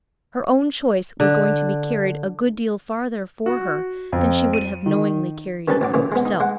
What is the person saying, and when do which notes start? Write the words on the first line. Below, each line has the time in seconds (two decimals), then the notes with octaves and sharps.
Her own choice was going to be carried a good deal farther for her than she would have knowingly carried it for herself.
1.20 D3
3.46 F#4
4.12 F2
4.53 D#7
4.86 D#3
5.68 D#3 G3 C#4 B4 A5
5.81 A1 F#3 D6
5.94 A#2 C#3 E3
6.12 G#3 B3
6.25 D#4
6.40 G#3 F#5